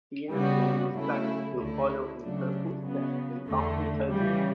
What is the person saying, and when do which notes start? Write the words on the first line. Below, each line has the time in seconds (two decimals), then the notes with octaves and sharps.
Tian then decides to follow in her footsteps and complete her dream.
0.31 C#3 G3 B3 F#4
0.93 C#3 F#3 A3 C#4 E4
1.56 D2 D3 A3 E4
2.20 C#3 F#3 A3 D4
2.83 C#3 F#3 B3
3.47 E2 D3 A3
4.10 C#3 E3 G3